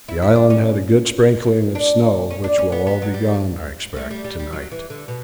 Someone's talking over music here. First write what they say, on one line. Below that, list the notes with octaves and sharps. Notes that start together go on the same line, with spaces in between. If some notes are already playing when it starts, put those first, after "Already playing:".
The island had a good sprinkling of snow, which will all be gone, I expect, to-night.
E4
E4
D4
C#4
D4
C#4
D4
C#4
B3
B3
F#3
G3
A3
G3
G3
G3
F#3
E3
D3
B2